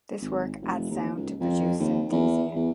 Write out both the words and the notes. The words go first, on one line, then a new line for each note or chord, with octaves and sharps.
This work adds sound to produce synesthesia.
G#1
F1
D#2
C#2
F2
D#2
E2
E2